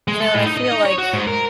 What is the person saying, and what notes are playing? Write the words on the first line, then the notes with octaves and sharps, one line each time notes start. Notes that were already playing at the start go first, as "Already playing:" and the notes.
You know, and I feel like
G#3
A4
A2
D#4
D#5
D#4
C#5
F#4
G#2
A#4